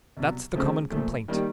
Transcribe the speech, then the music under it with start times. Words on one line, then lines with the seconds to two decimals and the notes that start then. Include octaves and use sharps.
That's the common complaint.
0.17 C2 B2 F#3
0.54 C#2 C#3 F3 A3 C4
0.91 A#2 F3 A3
1.28 D#3 G3 A#3 D#4